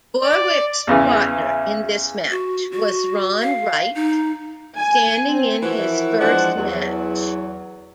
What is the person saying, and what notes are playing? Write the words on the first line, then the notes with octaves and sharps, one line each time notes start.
Borwick's partner in this match was Ron Wright, standing in his first match.
D5
E2 C#3 E3
F#4
F#4
F5
D#4
G#5
C4
E3 F3 E4 F#4 A#4 B4
E3 F3 G#3 D4 D5 F#5
E2 F#3